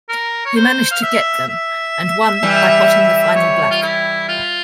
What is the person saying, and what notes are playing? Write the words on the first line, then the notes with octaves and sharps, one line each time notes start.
He managed to get them and won by potting the final black.
A#4
C#5
C5
F5
E5
E5
E3 G3
C#5
F4
E4
F4